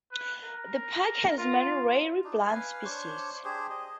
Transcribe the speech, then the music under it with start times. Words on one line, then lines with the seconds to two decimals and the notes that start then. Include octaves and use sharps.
The park has many rare plant species.
0.12 B4
0.44 A#4
1.38 F4
2.24 D4 D#4
2.44 B4 F5 G#5
2.84 D4 C5 C#5
3.45 D4 G4 G#4 C5
3.70 D#5